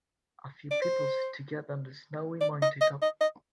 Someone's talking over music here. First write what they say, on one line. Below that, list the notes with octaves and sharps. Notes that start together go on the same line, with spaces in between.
A few people sit together on the snowy mountaintop.
D5
C5
D5
D#5
D#5
D#5
D#5